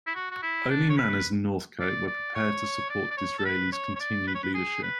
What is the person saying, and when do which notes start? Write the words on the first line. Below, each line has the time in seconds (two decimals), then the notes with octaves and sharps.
Only Manners and Northcote were prepared to support Disraeli's continued leadership.
0.07 E4
0.15 F#4
0.31 F#4
0.42 E4
0.70 D4
0.89 C#5
0.97 B4
1.80 D5
2.07 D5
2.35 C#5
2.89 D5
3.11 D5
3.17 C#5
3.38 A4
3.45 B4
3.72 C#5
3.95 C#5
4.00 D5
4.27 B4
4.35 C#5
4.43 B4
4.54 G#4
4.82 B4